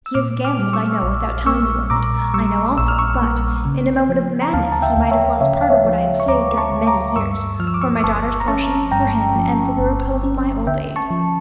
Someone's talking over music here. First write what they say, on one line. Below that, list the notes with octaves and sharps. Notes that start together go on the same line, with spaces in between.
He has gambled, I know; without telling you of it, I know also, but, in a moment of madness, he might have lost part of what I have saved, during many years, for my daughter's portion, for him, and for the repose of my old age.
E6
A#2 D6 F6
D6 F6
G3
C#6 E6
A#1
A#3 C#6 E6
A#2 A#5 D6
G3 C#6 E6
A#1 E6
F6
C#6 E6
A#3
C#3
F3
A#5
D2 F5 A5
A5
E5 G5
D2
C#5 E5
C#3 C#5 E5
F5
C#5 E5
F3
C#6
D2 A#5 D6
A5 C#6
D2
A#5 D6
G2 C#6 E6
F3 F6
E6
D6
C#6 E6
G1 A5 C#6
A#5
C#4 A5 C#6
G2 G5 A#5
F3
G1
C#4
D3 E5 G5
A5 C#6
F3